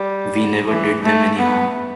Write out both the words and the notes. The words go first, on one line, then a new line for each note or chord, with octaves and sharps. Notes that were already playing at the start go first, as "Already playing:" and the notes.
We never did them any harm.
Already playing: G3
E3
A3
B3